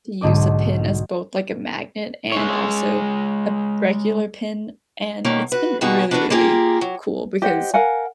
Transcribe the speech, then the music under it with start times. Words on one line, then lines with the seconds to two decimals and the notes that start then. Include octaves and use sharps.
you use a pin as both like a magnet and also a regular pin. And it's been really, really cool because,
0.21 B1 G#2 D3 D#5 D6
2.32 G#3 C#5
5.24 B2 D#3 G3 A#3 C#4
5.52 F#4 B4
5.81 B2 D#3 A#3 B3 F#4 G#4
6.11 D4 E4 F#4 G#4 A#4 B4
6.30 A#3 F4 G4 G#4 A#4
6.81 F#3
7.42 G4 C5 D#5 F#5
7.74 A#4 F5 F#5 G#5